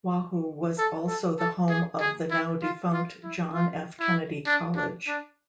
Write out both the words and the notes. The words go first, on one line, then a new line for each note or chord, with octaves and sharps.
Wahoo was also the home of the now defunct John F. Kennedy College.
A4
A4
A4
G#4
G#4
E4
F4
F4
E4
F4
E4
D4
D4
D4